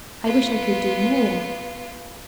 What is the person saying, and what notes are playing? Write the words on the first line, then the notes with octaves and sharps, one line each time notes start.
'I wish I could do more.'
B3 F4